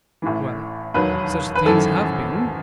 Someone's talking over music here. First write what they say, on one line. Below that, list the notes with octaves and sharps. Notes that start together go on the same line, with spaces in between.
"Well, such things have been."
A1 A2 E3
E1 D#2 D#3 F#3 B4
B4
G#1 F#2 E3 A4